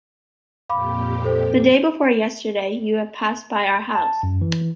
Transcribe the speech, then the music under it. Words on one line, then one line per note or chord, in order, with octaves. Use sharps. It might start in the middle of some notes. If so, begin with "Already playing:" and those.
The day before yesterday you have passed by our house.
F2 A#2 G4 F5 B5 D6
A4 C5
A5
F#2
E3